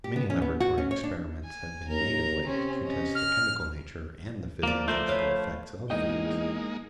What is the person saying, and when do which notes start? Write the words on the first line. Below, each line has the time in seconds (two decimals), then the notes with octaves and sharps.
Many laboratory experiments have been made of late to test the chemical nature and the physiological effects of foods.
0.04 G4
0.16 B3
0.30 C#4
0.42 B3
0.60 F#4
0.78 C#4
0.91 C#5
1.04 D4
1.45 G#5
1.88 D#2 A#4 A#5
2.45 C3 C4 C#4
2.83 C#4 D#5
3.15 F6
4.63 F3 A#3 C5 D5
4.88 F3 A3 A#4 C5 D5
5.08 B4 C#5 F5
5.90 E2 G#3 A#3 D#4 D#5 G5